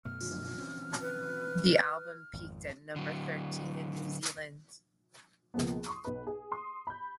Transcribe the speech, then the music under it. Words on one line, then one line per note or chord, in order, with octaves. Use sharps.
The album peaked at number thirteen in New Zealand.
F#2 B2 A3 F6
E3 C4 C#4
B4
G#1 F2
D3 F#3
C#2 B2 F3 A#3 B3
C6 C#6 D#6
B1 B4
G#4
C6 D#6
B5 G6